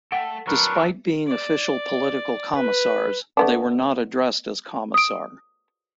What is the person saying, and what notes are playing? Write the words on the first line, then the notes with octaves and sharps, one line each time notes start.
Despite being official political commissars, they were not addressed as "commissar".
A4 E5 F#5 G5
F#3 D4 A#4 B4 C#6
D5
B4
A3 B3 D4
D#6 D7